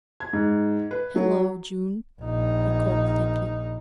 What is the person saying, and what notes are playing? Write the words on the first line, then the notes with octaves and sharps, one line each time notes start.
"Hello, June!" he called thickly.
G#6
G#2
B4
F#3
A#1 D#4